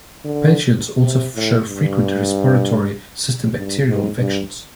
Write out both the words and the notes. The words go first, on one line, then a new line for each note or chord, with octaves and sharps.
Patients also show frequent respiratory system bacterial infections.
D3
C3
A2
G2
G2
G#2
G2